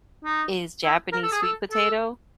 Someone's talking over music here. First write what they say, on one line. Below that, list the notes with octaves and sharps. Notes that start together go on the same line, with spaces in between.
is Japanese sweet potato.
D#4
E4
A#4
A4
G#4
A4
A4